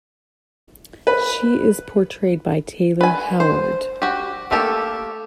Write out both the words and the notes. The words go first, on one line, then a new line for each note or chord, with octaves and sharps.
She is portrayed by Traylor Howard.
B4
B4 G#5
C5
F#4 G4
A3 A#3 G4 A4